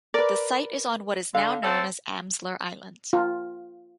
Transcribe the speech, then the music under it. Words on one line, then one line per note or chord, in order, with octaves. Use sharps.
The site is on what is now known as Amsler Island.
A#4 B4 D5
D3 F5
C4 C#4 A4
F4